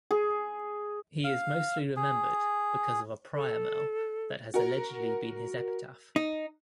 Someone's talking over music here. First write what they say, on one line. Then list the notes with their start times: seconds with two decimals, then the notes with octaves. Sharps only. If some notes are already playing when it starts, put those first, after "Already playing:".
He is mostly rmembered because of a priamel that has allegedly been his epitaph.
0.11 G#4
1.24 F5
1.96 G#4
3.35 A4
4.54 F#4 A#4
6.16 D#4